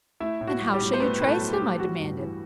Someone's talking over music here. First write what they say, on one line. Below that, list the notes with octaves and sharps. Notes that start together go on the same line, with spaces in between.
"And how shall you trace him?" I demanded.
A3 E4 E5
A2
F#4
F#3
G3 G4
A2
C5
A3 B3 B4
A2 B4
A3 A4
F#3
G3 G4
A2
G3 F#4
G2
E3